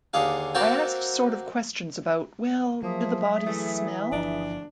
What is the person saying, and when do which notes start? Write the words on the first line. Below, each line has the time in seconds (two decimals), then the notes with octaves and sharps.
I asked sort of questions about, 'Well, do the bodies smell?
0.14 D#2 D3 G#4 F5
0.55 A#3 C4 F#4 A4 A#4 G5
2.83 F3 F#3 A#3 G#4 E5 D#6
3.46 E3 A3
4.12 G1 F3 D4